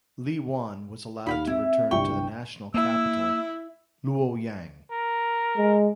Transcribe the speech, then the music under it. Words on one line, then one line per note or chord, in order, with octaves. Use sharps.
Li Wan was allowed to return to the national capital Luoyang.
D#2 F5 G5 B5
C4 E4 E5
G1 C2 G5 C#6
A#3 E4 E6
A#4
G#3